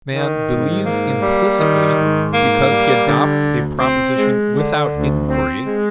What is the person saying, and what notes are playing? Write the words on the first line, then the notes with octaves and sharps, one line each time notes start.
A man believes implicitly, because he adopts a proposition without inquiry.
D#3
G#2
A#3
G3
D#3
G#2
A#3
G3
D3
D2
C4
G#3
D3
D2
C4
G#3